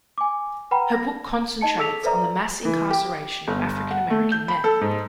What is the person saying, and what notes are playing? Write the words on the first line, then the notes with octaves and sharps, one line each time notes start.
Her book concentrates on the mass incarceration of African-American men.
G#5 D6
B4 F#5 G5 A#5 B5
A#6
D#4 D#5 A5 C#7
G#4 A4 E6 B6 F7
A4 B4 C5 D5 E5 A#5
E3
G4
G1
F#5
A3
G6
B5
A4
G#2